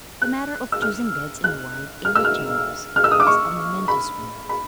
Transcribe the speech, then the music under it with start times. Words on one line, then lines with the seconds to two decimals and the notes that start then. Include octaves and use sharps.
The matter of choosing beds in the wide, airy chambers was a momentous one.
0.22 F#6
0.72 E6
0.82 F6
1.44 F#6
2.05 F6
2.15 E6
2.25 F6
2.96 F6
3.04 E6
3.11 D#6
3.20 D6
3.27 C#6
3.88 B5
4.49 B5